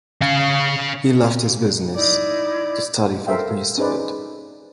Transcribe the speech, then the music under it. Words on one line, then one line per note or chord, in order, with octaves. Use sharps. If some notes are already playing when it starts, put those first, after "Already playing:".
He left his business, to study for the priesthood.
C#4 F5
D#4 E4 D5 D6
A4 A#4 C5 E5 F5 G5
C#4 D#4 G#4 B4 C5 D5